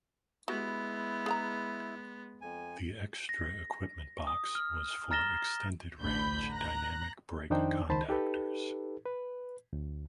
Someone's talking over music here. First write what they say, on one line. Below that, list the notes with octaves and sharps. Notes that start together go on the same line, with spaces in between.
The extra equipment box was for extended range dynamic brake contactors.
G#3 B3 E4 F#4 G4
G#4 F#5 A#5
F2 G#5
A#6
D#6
F6
A#5 F6 A6 A#6 E7 G7
A1 D2 D3 B5 G6
A#5 F#6 A#6
F2 D#3 D4 D#4 C5 G5
C#2 D#3 C5 A5 B5
D#4 G4 A4 B4
B4
D2